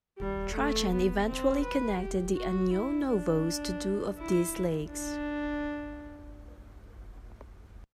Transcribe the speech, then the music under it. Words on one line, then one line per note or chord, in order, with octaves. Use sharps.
Trajan eventually connected the Anio Novus to two of these lakes.
G3
A3
B3
C4
B4
G4
F#4
E4
D4
E4
D4